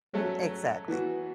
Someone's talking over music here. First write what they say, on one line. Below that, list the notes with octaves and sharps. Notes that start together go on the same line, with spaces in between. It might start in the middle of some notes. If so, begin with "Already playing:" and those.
Mm, exactly.
F#3 A3 C#4
E3 B3 F#4